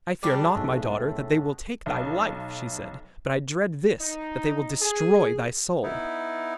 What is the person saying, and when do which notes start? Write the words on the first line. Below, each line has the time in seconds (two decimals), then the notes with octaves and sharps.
'I fear not, my daughter, that they will take thy life,' she said, 'but I dread this--that they will destroy thy soul!'
0.23 C#3 G3 D4 A5 D6
0.55 B1 A2
1.86 B1
4.01 D#4
4.82 G#4
5.83 B3 D#4 E4